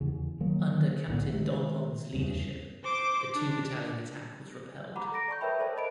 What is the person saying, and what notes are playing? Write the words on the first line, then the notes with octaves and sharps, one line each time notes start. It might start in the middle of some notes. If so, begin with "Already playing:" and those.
Under Captain Donlon's leadership, the two-battalion attack was repelled.
E2 C#3
D#3 F#3 A#3
B1 A2 D3 B3
D#3 G#3 A3
E2 G2 C#3
C5 D6
D4
F#5 A#5 B5 D6
A4 A#5 A#6 D7
D5 A5 C#6 G6
A#4 B4 C#5 E5 G5 B5
A4 A#4 C5 D5 A5
C5 D#5 B5 D7